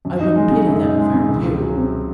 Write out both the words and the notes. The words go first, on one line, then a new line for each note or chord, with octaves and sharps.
I wouldn't pity them if I were you.
F#2
D#4
G#3
C#3
F#2
D#4
G#3
C#3
C#2
C#2
F#3
C3